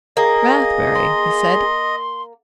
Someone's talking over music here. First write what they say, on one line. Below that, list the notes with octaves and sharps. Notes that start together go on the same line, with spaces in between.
"Rathbury!" he said.
A#3 G#4 D#5
C6